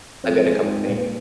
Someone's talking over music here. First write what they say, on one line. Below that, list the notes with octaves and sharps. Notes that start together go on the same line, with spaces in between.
I've got a couple of paintings,
F2 C4
G#3
G#2
C4
A#2